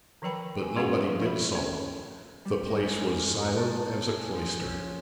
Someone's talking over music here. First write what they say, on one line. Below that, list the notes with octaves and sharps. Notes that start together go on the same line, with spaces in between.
But nobody did so: the place was silent as a cloister.
D#3 F3 F#3 B4 G5 B5
G#5
G#3 C#4 G#4 F5 F#5 C#6
F3
F3 A3 A4 B4 E5 B5
C#4
G3
G#3
F6
A#5
A5
G#4
F3
C#4